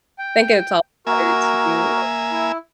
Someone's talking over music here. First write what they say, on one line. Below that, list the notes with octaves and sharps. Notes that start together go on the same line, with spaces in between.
I think it's all better to
G5
A#3 F#4 A#4 E5 G#5
E4